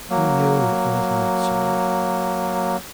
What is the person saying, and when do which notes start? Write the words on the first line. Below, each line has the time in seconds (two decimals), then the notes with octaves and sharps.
He knew it was not so.
0.10 F#3 A#3